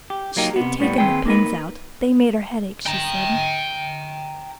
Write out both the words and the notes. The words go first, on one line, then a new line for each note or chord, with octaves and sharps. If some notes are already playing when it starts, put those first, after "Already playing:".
She had taken the pins out--they made her head ache, she said.
G4
F#3 A#3 D#4 G4
C3 B3
A2 G3 B3
D#2 C4 G#4 B4 G5
A#3 D#4 A#4 B4
G5 A#5